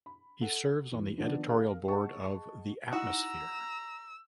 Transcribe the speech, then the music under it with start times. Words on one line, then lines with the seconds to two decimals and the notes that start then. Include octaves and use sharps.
He serves on the editorial board of the "Atmosphere".
0.06 B5
0.41 A4 F#5
0.92 E2
1.18 D#3 F3 B3 D4
1.48 G#4 A#4 F5
1.88 G#4 D#5 F#5 A5 C#6
2.93 D#4 E4 F#4 F#5 A#5 E6